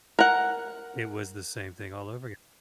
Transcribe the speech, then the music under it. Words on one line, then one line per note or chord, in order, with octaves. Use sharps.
it was the same thing all over again.
A#4 F#5